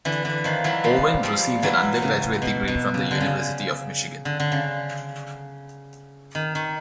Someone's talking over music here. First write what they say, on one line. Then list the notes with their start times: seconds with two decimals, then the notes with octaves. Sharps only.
Owen received an undergraduate degree from the University of Michigan.
0.05 D3 E3
0.25 D3 E3
0.44 D#3 F3
0.64 E3 F#3
0.84 F3 G3
1.23 F3 G3
1.63 E3 F#3
2.02 C#3
2.42 B2
2.68 B2
2.94 C#3
3.11 D3
3.20 C#3
4.25 D3
4.40 D3
4.52 C#3
6.35 D#3
6.55 D#3